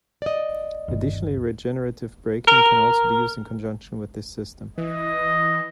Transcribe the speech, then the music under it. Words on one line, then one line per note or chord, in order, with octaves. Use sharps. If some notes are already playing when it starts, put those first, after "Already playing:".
Additionally, regenerative braking can also be used in conjunction with this system.
D5 D#5
G1 D#2
A#4
E3 D#5